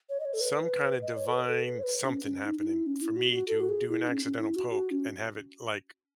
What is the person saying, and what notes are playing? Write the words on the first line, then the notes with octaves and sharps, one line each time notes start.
some kind of divine something happening for me to do an accidental poke and have it, like,
C#5
D#5
C#5
A4
B4
D#5
C#5
A4
B4
A4
B4
C#5
B4
C#4
C#4
D#4
D#4
E4
C#4
E4
F#4
F#4
A4
F#4
G#4
E4
D#4
C#4
C#4
E4
F#4
F#4
C#4